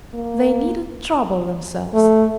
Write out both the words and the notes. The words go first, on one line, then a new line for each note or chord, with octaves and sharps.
They needn't trouble themselves!
A#3
A3